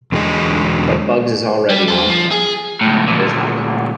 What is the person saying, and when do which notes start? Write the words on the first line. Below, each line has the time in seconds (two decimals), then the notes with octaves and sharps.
But Bugs is already on to them, and is not caught.
0.12 E2 D3 F#3 G#3 D#5
1.70 G3
1.88 A4 C5
2.09 F3
2.31 G#4
2.81 C#2 A2
3.07 D2 A#2